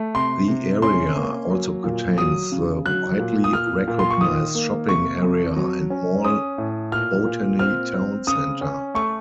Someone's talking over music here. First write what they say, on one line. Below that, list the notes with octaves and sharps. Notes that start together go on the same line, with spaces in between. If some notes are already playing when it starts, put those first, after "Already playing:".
The area also contains the widely-recognized shopping area and mall Botany Town Centre.
Already playing: A3
C3 C6
C3
C#4 C6
A#3
F#3
A#2
F#3 D#6
C#3
F#3 F#6
A#2
D#6
A#2 F6
A#2
C6
C#6
D#3 D#6
A#3
C3 C#6
F2
F#3
C#4
C#4 D#6
A2
A#2 F6
A#2
C4 F6
C4
C#3 D#6
C#4
A3 C#6